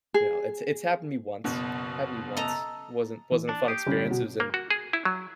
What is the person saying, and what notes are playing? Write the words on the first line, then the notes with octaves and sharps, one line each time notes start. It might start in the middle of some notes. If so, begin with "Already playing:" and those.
you know, it's it's happened to me once, happened to me once, wasn't wasn't a fun experience, it was in
G#4
F#1 B2
A4 D#5 A#5
E3
D4
G4 D#6 C7
G1 G#3 C#4
B2
A#3
F#4
G#4
E4
F#3